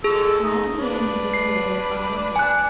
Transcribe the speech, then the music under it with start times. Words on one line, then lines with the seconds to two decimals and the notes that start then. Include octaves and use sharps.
Raggedy Ann had been away all day.
0.04 G#3 G#4 A4 E6
0.43 D#4
0.79 D4 B4
1.34 C7
2.36 G#5 F#6